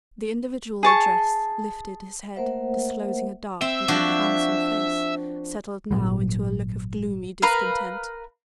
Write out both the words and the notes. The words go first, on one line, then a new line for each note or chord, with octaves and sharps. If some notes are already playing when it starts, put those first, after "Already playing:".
The individual addressed lifted his head, disclosing a dark and rather handsome face, settled now into a look of gloomy discontent.
G#4 A5 C#6
A3 A#3 A#4 C5 E5 F#5
C4 E5
F3 D4 F#4
G#1 A#2 F#3 G3
A#4 B4 F5 A#5